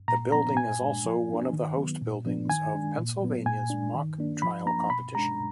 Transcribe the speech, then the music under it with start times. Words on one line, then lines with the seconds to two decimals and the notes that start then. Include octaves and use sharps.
The building is also one of the host buildings of Pennsylvania's Mock Trial Competition.
0.08 A#2 A#5
0.32 F3 B3 D4 A#5
0.57 A#2 G#5
0.81 G#3 D4
1.05 F3
1.30 A#3 D4
1.53 D#3
1.77 F#3 B3
2.02 A#2
2.26 F3 B3 D4
2.49 D#3 G#5
2.74 G#3 D4
2.97 A#2
3.22 F#3 B3
3.46 A#2 G#5
3.70 G#3 D4
3.94 D#3
4.19 A#3 D4
4.42 F3 B5
4.66 A#3 D4 A#5
4.90 B2 B5
5.15 G#3 D4 A#5